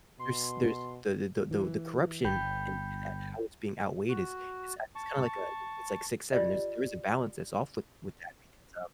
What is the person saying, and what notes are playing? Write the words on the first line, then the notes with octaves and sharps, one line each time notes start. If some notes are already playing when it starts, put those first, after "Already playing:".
there's there's the the the the the corruption and and how it's being outweighed is is, uh it's kinda like a, you know, it's like six-seven, there's there is a balance that's off with with that because, um
B2 C6
E3
G1 G5 B5 G6
F#4
A5 C#6
F4 G4 D5 D#5